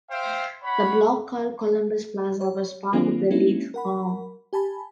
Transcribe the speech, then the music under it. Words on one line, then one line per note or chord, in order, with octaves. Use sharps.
The block called Columbus Plaza was part of the Leeds farm.
C5 E5 F5 G5
C#5 F#5 B5
C#5
D#3 F#3 A#3 C4 D4 F4
G#3 A#3 C4 C#4 D#4 E4
A#4 F#5 B5
G4 G#5 A5 B5